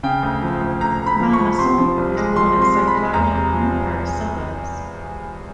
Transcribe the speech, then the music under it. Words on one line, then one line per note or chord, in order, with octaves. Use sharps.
Malmasson was born in Saint-Cloud in the Paris suburbs.
C#3 G5
D2
F3
D2
D2 A#5
D2
B5
F3
C#6
F3
C3 C6
F3
C2
G#3
F3 C6
C3
C6
G#3
B5
G#3
E2 A#5
C3
F3